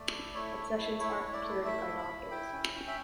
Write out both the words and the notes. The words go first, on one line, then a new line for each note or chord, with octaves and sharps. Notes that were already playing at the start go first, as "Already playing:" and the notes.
Obsessions aren’t cured by doctors.
Already playing: A3 D5
E4
A3 C#5
A3
E4
E4 C#5
E4
D5
A3
E4 E5
E4
B5
E4
E4 G5
C#4
C#4
E5